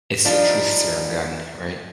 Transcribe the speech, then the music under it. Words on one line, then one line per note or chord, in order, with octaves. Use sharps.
It's the truth serum gun, right?
F3 G3 D4 D#4 F4